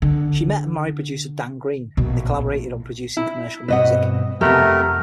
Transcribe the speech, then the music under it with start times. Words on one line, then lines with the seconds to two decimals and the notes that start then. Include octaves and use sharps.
She met and married producer Dan Green, and they collaborated on producing commercial music.
0.02 D3
1.97 A#1 B2
3.17 E4
3.68 G2 B2 C4 B4 D#5 F#5
4.41 F2 C3 A3 B3 G4 A#4 F#5 A#5